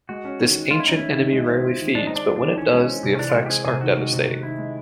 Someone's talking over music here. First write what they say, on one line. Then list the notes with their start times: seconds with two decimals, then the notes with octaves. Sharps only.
This Ancient Enemy rarely feeds, but when it does, the effects are devastating.
0.09 G#3 F#4
0.25 C#4
0.40 D#3
0.55 D#3
0.71 G#3 F4
0.80 E4
0.87 C#4 D#4
0.96 E4
1.02 D#3
1.18 D#3
1.33 G#3
1.48 C4
1.65 F4
1.80 D#3
1.95 G#3 D4
2.07 D#4
2.10 C4
2.16 D4
2.26 F4
2.36 D4
2.42 D#3
2.57 E3 C#4
2.72 G#3
2.88 C4
3.03 C3
3.15 C#4
3.19 E3 D4
3.29 F4
3.34 G#3 F#4
3.46 G4
3.50 C4 G#4
3.65 C3 G#4
3.81 D#3 F#4
3.97 G#3
4.13 C3
4.28 C3
4.43 D#3 E4
4.58 G#3